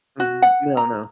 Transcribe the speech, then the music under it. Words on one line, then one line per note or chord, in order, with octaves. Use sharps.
Mhm, no no.
F#4
F#5
A#5